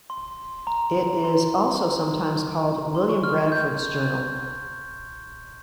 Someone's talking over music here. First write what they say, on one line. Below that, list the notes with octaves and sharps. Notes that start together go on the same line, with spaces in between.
It is also sometimes called "William Bradford's Journal".
C6
A#5
C6
C6
C#6
F6
G#6
G6